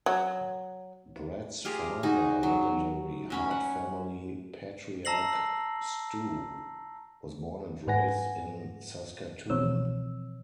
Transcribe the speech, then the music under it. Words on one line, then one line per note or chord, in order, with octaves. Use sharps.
Bret's father, legendary Hart family patriarch Stu, was born and raised in Saskatoon.
F#3
F4 G4 G#4 A#5
D#4 F#4 G#4
F#3
F#3 C#4 B5
F#5
A5 A#5 E6 A#6 C7 F#7
G#2 B4 F#5 G#5 A#6
B2 E3 F3 C4 C#5 E6